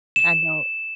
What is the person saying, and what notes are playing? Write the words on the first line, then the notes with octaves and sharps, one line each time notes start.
I know
E7